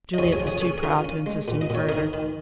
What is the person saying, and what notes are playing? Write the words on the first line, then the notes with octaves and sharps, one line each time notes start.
Juliette was too proud to insist any further.
D#5
F2 G#4 C#5
G#4 C#5
F3
G#4 C#5
C#4 G#4 C#5
G#4
C#4 F4 A#4
C#4
G#3
A#2
D#5
A#2 C#5
D#3 A#4 D#5
D#3